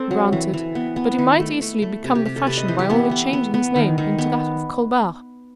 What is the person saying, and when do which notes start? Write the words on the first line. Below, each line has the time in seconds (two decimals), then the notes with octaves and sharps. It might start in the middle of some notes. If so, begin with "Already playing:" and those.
"Granted, but he might easily become the fashion by only changing his name into that of Colbert."
Already playing: C4 A4
0.11 F#3
0.33 E3
0.54 E3
0.75 B3
0.96 B3
1.18 D#3 E4
1.40 A3
1.61 A3
1.82 A3
2.04 C3
2.15 G4
2.25 C3 G4
2.36 A4
2.47 C3 B4
2.58 D#5
2.68 E3 C5
2.79 G4
2.90 B3 E4
3.11 B3
3.33 B3
3.54 B3
3.76 D#3
3.98 D#3
4.18 B3